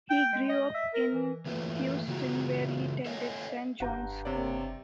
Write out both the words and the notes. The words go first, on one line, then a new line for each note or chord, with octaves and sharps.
He grew up in Houston, where he attended Saint John's School.
G5
G#3
D#5
E5
A#4
E3
E3 A3 A#3 F4 B4
C#3 E3 G#3 F4 F#4 A#5
A4 C#5 D#5 F5 G#5
F#1 G2 F#5 A#5 G6
C3 C#5 D5